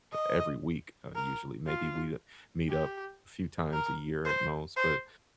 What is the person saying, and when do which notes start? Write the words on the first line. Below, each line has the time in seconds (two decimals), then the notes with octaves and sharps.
uh, every week, uh, usually. Maybe we, uh, meet up few times a year at most, but
0.12 D#5
1.15 A#4
1.67 F4
2.69 G4
3.73 A#4
4.25 C5
4.76 C5